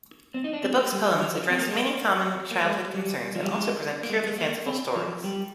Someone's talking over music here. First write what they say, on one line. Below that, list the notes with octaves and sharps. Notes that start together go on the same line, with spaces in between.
The book's poems address many common childhood concerns and also present purely fanciful stories.
C4
D#4
D4
C4
A#3
G3
F3
F3
C4
A#3
G#3
A#3
A#3
G#3
G3
F3
G3
G#3
A#3
G#3
G#3
A#3
C4
F3
G3